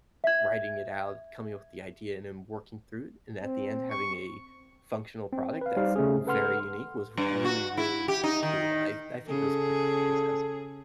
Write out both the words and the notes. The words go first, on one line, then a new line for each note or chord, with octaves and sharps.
writing it out, coming up with the idea, and then working through it, and at the end, having a functional product that's very unique was really, really cool. I I think it was a pretty success.
E5 G#6
C4
C#6
C4
B4 F5
G3 D#4 G4 C5 D5 F5
C#3 A3 C#4 G#4
A4 B4 F#5 C6 F6
G2
F#4
E4
G4
D#4
D#3
C#3 G#4 A4